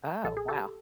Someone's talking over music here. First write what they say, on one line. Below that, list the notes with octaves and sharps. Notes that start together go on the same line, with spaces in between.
Oh, wow.
A#1 A4
G#4
G4 A4